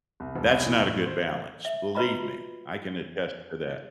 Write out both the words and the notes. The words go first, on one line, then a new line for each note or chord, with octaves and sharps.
that's not a good balance. Believe me. I can attest to that.
C2
E1
C2
E3
A2
C5
E5
F4 F#4 B4 D#5 A#5 B5